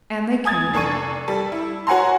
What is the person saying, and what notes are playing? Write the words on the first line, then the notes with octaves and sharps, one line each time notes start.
And they came.
G#5 D#6 G#6 A6
F1 D4 A4 C#6 D#7
G3 A4
E4
F#4 C#5 F#5 G#5 A#5 C6